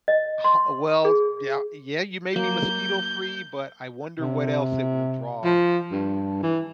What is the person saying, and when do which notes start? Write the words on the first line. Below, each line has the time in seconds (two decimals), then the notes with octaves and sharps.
Ho oh, well, d yeah yeah, you may be mosquito free, but I wonder what else it will draw
0.08 D#5
0.44 C6
1.05 G#4
2.36 F#3 A#3 G6
4.20 C3
5.44 F3
5.92 G2
6.43 E3